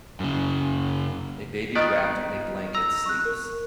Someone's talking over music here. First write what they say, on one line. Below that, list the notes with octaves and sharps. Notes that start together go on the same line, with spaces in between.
A baby wrapped in a blanket sleeps.
F#2 C#3
D#3 B3 F4 D5 D#5
A#5 E6
C#6 F#6
A#4